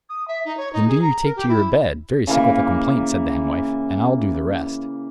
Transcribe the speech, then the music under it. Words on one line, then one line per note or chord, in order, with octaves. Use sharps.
"Then do you take to your bed, very sick with a complaint," said the Hen-Wife, "and I'll do the rest."
D#6
E5
D#4
C#5
D#4
G#4
A#5
A#4
G4
E4
C#3 E3 A#3